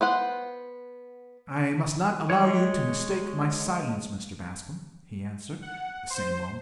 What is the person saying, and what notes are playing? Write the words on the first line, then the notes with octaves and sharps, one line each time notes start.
"I must not allow you to mistake my silence, Mr. Bascombe," he answered the same moment.
B3 C5 F#5
G#3 C#5
F#5
C5